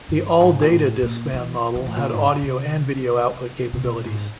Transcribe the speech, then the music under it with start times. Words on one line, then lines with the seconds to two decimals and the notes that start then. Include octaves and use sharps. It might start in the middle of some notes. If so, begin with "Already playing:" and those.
The All Data Discman model had audio and video output capabilities.
0.09 G2
0.40 G#2
0.62 A#2
0.71 A2
1.02 A#2
1.34 E3
1.75 E3
1.86 A2
1.96 A#2
2.12 G#2
2.27 F#2
2.43 C3
3.73 C3
3.84 B2
4.05 G#2